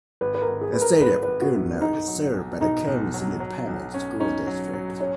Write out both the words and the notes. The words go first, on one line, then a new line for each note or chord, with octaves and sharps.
The City of Goodlow is served by the Kerens Independent School District.
G#1 B4
B4
A#4
G#1
G#4
G#1 B4
A#4
G#1 B4
B4
G#1
F#4
F#2
B1 D#4
F#3
B1
B2 D#4
B1
F#3
F#3
B1
C#4
C#4 D#4
F#3
F#3
C#4